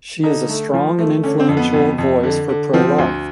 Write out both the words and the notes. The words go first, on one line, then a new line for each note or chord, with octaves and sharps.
She is a strong and influential voice for "pro-life".
D3 D#4
A3
F3
A3
D3 C#4
C4
F2
B3
F2
F2
D3
D3
F3 C4
D2